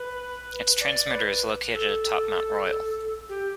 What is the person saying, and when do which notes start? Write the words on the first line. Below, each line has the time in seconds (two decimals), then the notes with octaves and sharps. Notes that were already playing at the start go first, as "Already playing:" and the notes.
Its transmitter is located atop Mount Royal.
Already playing: B4
0.81 D5
1.12 B4
1.74 A4
3.29 G4